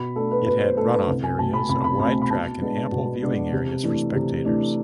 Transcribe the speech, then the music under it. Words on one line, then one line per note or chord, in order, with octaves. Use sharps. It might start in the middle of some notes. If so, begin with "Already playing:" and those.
It had run-off areas, a wide track and ample viewing areas for spectators.
Already playing: B2 B5
A3 D4 A4
B4
B2 B4
C5
A3 D4 A4
B4
C2
G#5
B2 A3 C4 A5
B5
C2 B5
B5
B2 A3 C4 B5
B5
B2 A5
G#3 B3 D4
B2
G#3 B3 D4
C3
E3 A3 D4
C3
E3 A3 D4